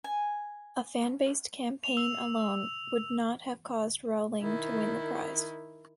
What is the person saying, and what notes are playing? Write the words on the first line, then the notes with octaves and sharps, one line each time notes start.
A fan-based campaign alone would not have caused Rowling to win the prize.
G#5
F7
E6
D#3 E4